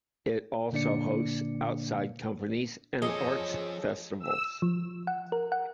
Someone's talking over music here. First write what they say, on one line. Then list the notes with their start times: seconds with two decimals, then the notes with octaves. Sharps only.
It also hosts outside companies and arts festivals.
0.72 A#2 D3 A#3 D4 D5 C#7
3.02 F3 G#4 A4 C#5 D#5
4.20 E6
4.62 F3
5.07 F#5
5.32 A#4
5.52 F#5